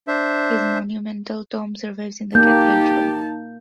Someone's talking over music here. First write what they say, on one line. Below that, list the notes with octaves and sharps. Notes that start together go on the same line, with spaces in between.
His monumental tomb survives in the cathedral.
D4 C5 E5
A#3 D#4 G4 A5 G6